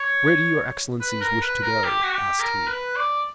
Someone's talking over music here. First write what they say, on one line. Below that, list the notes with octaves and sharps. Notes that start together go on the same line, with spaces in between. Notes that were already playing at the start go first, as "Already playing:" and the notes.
"Where do your excellencies wish to go?" asked he.
Already playing: C#5
B4
A#4
B4
A#4
G4
F#4
G4
A#4
B4
D5